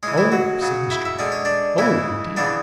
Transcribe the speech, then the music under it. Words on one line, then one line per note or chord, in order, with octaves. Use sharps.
'Oh!' said Mr Boffin. 'Oh indeed!
E3 G#3 C#4 G#4
E3 E4
F#3 F#4
C#3 F#3 C#4
E4 E5
E5
D3 G#3 C#4 D5
C#5
D4 D5
C#3 E3 G#3 E4 E5
C#3 E3 B3 D4 D5